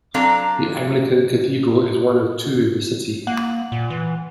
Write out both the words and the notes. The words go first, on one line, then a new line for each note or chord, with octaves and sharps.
The Anglican cathedral is one of two in the city.
F#3 C4 D4 A4 F5 A#5
A#3 F#5
A#2
E3